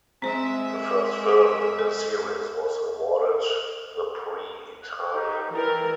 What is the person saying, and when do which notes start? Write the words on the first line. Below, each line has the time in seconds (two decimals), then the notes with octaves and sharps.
The first film in the series was awarded the Prix Italia.
0.22 G#3 C4 C5 E5
1.79 A4
4.81 F#6
5.13 D#4 G4
5.52 E3 A#4 D5 G5 A#5